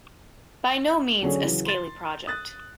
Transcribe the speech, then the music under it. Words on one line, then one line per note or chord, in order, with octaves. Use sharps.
By no means a scaly project.
D3 F#3 C#4 G#4
C#3 E3 F#3
C6 A6
D#6 F#6 A6